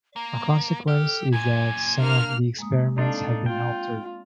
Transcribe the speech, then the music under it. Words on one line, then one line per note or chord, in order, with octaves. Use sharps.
A consequence is that some of the experiments have been altered.
A#3 A#5
G4 A4 F6
F#2 A#2 G#5 G#6
A#3 D4 F6
G#3 A#3 D#6
C4 D4 D#4 A4 F5
F4 G5